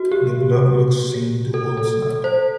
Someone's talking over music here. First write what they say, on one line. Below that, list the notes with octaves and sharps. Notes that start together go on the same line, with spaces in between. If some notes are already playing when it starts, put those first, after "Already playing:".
The block looks same to Old Slab.
Already playing: F#4
G4
A4
A4
C5